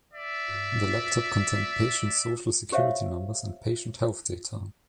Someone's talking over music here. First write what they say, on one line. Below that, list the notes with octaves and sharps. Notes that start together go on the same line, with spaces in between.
The laptop contained patient Social Security numbers and patient health data.
D5 E5
G4 C5 C#5 E5 F5